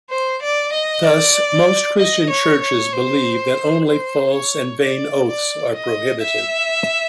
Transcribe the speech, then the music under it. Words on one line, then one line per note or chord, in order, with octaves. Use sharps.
Thus most Christian churches believe that only false and vain oaths are prohibited.
C5
D5
D#5
D5
D#5
C#5
C#5
C5
C5
C#5
D5
D5
D#5
E5